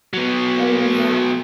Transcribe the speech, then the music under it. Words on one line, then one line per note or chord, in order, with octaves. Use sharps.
Oh yeah.
F#3 B3